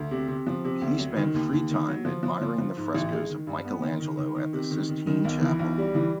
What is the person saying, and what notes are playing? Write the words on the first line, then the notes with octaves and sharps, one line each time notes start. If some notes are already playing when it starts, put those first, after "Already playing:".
He spent free time admiring the frescoes of Michelangelo at the Sistine Chapel.
Already playing: D2
C3
C3
F3
C3
D2
F#3
D#3
D#2
D#2
D#3
F#3
F3
F3
F3
F3
G#2
A1
G#3
D#3
G2
B3
D#3
D#3
D#3
D#3
C3
D#3
D#3
D#3
B1
E3
B1
G3
E3